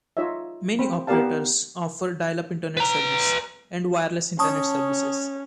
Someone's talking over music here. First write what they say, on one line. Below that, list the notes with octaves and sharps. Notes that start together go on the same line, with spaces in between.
Many operators offer dial-up internet service, and wireless internet services.
D#4 F4 C#5 D#5 E5
C4 B5
B3 G4 A#4 D5 F5 A5
B4 A#5
C#4 A5 C#6 D#6